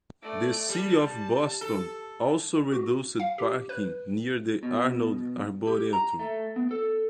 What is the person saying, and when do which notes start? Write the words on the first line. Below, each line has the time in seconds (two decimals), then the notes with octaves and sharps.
The city of Boston also reduced parking near the Arnold Arboretum.
0.23 A3 D5
0.69 G3 A5
1.61 A4
2.72 F#4
3.20 F5
3.38 G4
3.69 B4
4.63 B2
5.67 G4
5.93 A#5
6.19 A3
6.56 B3
6.71 A4